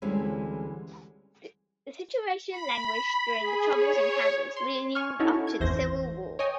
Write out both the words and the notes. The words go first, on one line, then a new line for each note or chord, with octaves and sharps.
The situation languished during the troubles in Kansas leading up to the Civil War.
D2 E3 G3 G#3 C4 C#4
B5
G#4
C#5
C6
G#5 C#6 F6
C#4 D#4 E4 F#4 A4 C#5
G#6
G#1 E2 E3 C5 A#6
C#5 D#5 G5 G#5 D#6